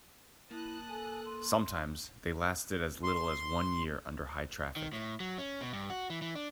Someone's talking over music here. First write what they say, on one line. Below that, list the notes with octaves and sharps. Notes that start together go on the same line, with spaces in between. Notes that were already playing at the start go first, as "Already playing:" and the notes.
Sometimes they lasted as little as one year under high traffic.
A#3 E4 A5 D#6 F#6
A4 G#5
C6
C6
D#3
A2
F#3
C#4
B2
G2
F#4
E3
E3
D4